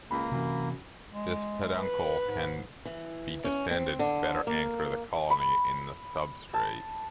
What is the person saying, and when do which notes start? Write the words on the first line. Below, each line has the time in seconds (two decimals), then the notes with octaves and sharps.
This peduncle can be distended to better anchor the colony in the substrate.
0.11 C#2 A#3 B5
0.32 F#2 C3 E3
1.13 G#3
1.76 B4
2.24 G#2
2.85 E3
3.44 C#4
3.71 C4
3.99 D3
4.47 A#3
5.30 B5
6.54 A5